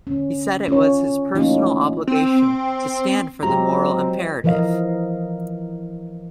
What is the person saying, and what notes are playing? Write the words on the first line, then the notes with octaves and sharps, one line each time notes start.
He said it was his personal obligation to stand for the moral imperative.
D3 C#4
C#4 F4 C#5
E3 A3 A#3 C#4 D#4 F4
C4
F#3 G#3 C4 F4 G4 A#5
E3 F3 A#4 D#5 F5